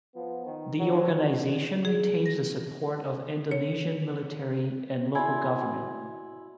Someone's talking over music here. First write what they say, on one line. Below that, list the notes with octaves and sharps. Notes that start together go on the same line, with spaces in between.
The organization retains the support of Indonesian military and local government.
F3 B3
D#3
F2 F#3
G#4
A#6
C#5
E4 F#4 D5 G#5 C6 G#6